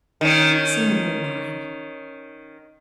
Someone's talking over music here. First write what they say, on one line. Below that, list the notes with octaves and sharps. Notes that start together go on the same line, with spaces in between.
Drink some more wine.
D#3 C#4